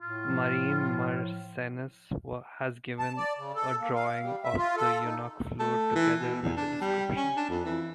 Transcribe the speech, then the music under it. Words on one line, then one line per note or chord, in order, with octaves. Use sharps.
Marin Mersennus has given a drawing of the eunuch flute together with a description.
A2 F4
F3
A5
D5
C#3
A4
A#3
F5
G3
E5
F4
A4
D#4
A3
E3
B2
E2
D4
G3
C#4
D4
F2
E3